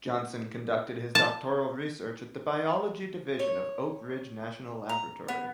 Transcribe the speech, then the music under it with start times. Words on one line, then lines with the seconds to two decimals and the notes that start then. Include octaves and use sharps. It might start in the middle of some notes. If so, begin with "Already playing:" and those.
Johnson conducted his doctoral research at the biology division of Oak Ridge National Laboratory.
1.15 A5
3.39 C#5
4.89 A#5
5.28 B3